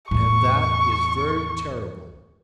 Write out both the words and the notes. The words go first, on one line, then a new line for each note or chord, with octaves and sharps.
And that is very terrible.
E2 A2 C#6